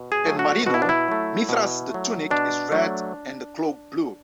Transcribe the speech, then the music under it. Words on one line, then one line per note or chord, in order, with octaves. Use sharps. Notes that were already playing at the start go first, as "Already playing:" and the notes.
At Marino, Mithras' the tunic is red and the cloak blue.
Already playing: B2
G#4
F#3 A3
F#4
B2 F#4
E4
D4
E4
F#3 A3
B2
F#3 A3
B2 D4
F#3 A3